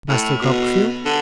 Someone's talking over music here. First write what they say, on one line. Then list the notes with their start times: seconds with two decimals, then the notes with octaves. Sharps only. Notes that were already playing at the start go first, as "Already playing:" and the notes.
'Master Copperfield?'
0.09 A2
0.41 B2
1.05 D3